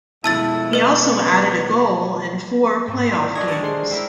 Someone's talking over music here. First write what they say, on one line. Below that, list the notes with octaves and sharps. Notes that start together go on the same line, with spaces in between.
He also added a goal in four playoff games.
F2 B2 G#3 A3 E4 A5 E6 A6
D#3 B3 B4 D#5
G#2 B3 C4
A#2 E4 C6
D#3 A3 D4 C#5 D#6 G#6 A#6
D3 G3 A#4 D#5 A5 C#6
G#3 C5 C6 C7
C4 E4 A#4